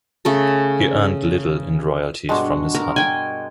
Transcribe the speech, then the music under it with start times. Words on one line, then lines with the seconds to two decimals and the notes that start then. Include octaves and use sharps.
He earned little in royalties from his hut.
0.25 C#3 A3 A4
2.29 G2 B2 G#3 D4 F#4
2.75 A#4
2.96 G5 G#5